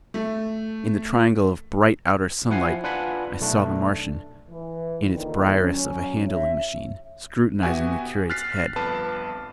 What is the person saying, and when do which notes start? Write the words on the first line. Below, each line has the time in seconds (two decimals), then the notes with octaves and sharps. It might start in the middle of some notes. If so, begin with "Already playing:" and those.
In the triangle of bright outer sunlight I saw the Martian, in its Briareus of a handling-machine, scrutinizing the curate's head.
0.14 A3
2.50 F3 E4 F#5 G#5 C7
2.84 D4 F4 B4 F#5 G#5 B5
3.41 B1 A3 D4
4.50 E3
5.13 A#2 D3 D#3
5.57 F#3 C#4
6.28 C#5 E5
7.63 B3 F#4 G4 E5 G#5
8.30 F6 F#6 A6 B6 C7
8.76 G1 F2 B4 A5